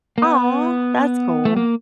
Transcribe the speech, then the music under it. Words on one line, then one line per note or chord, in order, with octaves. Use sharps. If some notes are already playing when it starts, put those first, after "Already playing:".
Aw, that's cool.
A#3
B3
A3
A#3